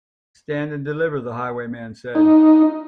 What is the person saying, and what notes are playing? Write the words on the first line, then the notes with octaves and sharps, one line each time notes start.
Stand and deliver, the highwayman said.
D#4